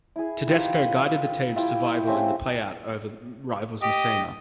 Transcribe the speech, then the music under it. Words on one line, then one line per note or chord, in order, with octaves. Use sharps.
Tedesco guided the team to survival in the playout over rivals Messina.
E4 G#4
D#4 F4 G4 B4
B4
E4 F4 G4 G5
A3 C4 C#4 G4
G4 D#5